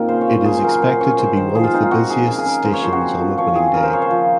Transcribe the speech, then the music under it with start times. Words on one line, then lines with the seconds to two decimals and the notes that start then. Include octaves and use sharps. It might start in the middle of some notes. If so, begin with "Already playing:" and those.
It is expected to be one of the busiest stations on opening day.
Already playing: A#2 C4 D#4 F4 A#4
0.08 C#3 C5
0.21 C#5
0.28 C#3
0.33 C5
0.45 C#3 G#4
0.57 C5
0.64 F#3 A#4
0.82 C#4 C5
1.01 C#4 C#5
1.18 G#3 C5
1.36 D#3 C5
1.55 F3 G#4
1.64 F4
1.73 C4 D#4
1.83 F4
1.91 C4 F#4
2.10 F3 G#4
2.28 C#3 A#4
2.38 G#4
2.46 C#3 A#4
2.64 C#3 C5
2.73 C#5
2.83 F3 C5
2.93 F#4
3.01 C4
3.19 F3
3.38 F3 C#5
3.55 C4 G#4
3.74 C#3 A#4
3.83 C5
3.93 F3 C#5
4.02 C5
4.11 F3